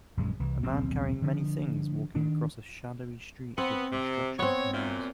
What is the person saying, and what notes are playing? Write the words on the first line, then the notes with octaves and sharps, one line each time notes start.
A man carrying many things walking across a shadowy street with construction cones.
A#1 F#2 G#3
C2 E3
D#1 B1 C4
D3 F3
D#3 D4
B3 C4
C3
B3 C4 C#5
F#2 A#2